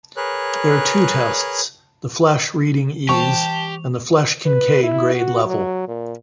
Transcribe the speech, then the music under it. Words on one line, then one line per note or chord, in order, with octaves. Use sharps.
There are two tests, the Flesch Reading Ease, and the Flesch-Kincaid Grade Level.
G#4 A#4 B4 C#5 F#6
E3 G4 A5 C#6 F7
B4
E4
F#4
F#3
A#2